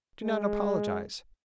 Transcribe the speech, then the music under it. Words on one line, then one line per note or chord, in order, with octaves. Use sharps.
Do not apologize.
G#3